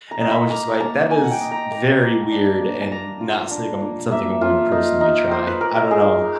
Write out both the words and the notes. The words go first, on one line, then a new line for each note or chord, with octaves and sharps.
and I was just like, "That is very weird and not sigm something I want to personally try." I don't know h
A#5
D#4
B5
A#3 A#5
A#3 A5
D#4 G#5
F#5
G5
D#4
A#5
A#3 A#5
A#3
D4
A#3
A5
A#3 A#5
F4
D4
A#3
A#3 E5
F4
D#4
D#4
A#3 C5
B4
A#3 A#4
A#4
D#4 G#4
D#4